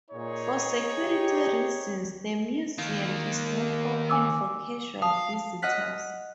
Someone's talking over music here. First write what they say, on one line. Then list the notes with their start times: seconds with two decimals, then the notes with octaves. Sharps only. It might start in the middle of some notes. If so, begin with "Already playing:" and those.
For security reasons, the museum is not open for casual visitors.
0.11 A#2 D#4 G#4 C#5
0.99 G4
2.78 D#3 A#3
4.10 G#5 D6 E6
5.02 F5 A5 D#6
5.62 D#5 F#5 F6 F#6 B6